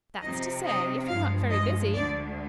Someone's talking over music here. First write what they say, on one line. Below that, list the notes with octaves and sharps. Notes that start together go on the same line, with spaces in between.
"That's to say if you're not very busy."
C3 F3 C4 D#4 D#5
D#5
G2 F3 G#3 F5
D#5
D2 D3 G#3 D5